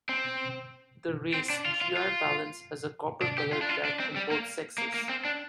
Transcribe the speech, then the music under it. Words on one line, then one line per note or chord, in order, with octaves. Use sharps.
The race "G. r. pallens" has a copper-coloured back in both sexes.
C4
C4
D4
F4
F4
F4
D4
G4
F4
D4
F4
D4
C4
G3
A#3
A#3
A#3
C4
D4